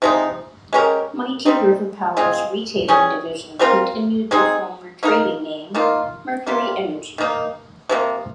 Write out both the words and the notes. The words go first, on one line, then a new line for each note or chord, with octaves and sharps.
Mighty River Power's retailing division continued the former trading name Mercury Energy.
C3 F3 G#3 D#4
G#3 C#4 G4 A#4
G3 C4 D#4
G#3 C4 F4 G#4
G3 C#4 G#4
G3 C4 F4 A#4
G#3 C4 D#4 G#4
A#3 D#4 A#4
D#3 A#3 F4
C3 G3 A#3 F4
D#3 A#3 D#4
C3 F3 A#3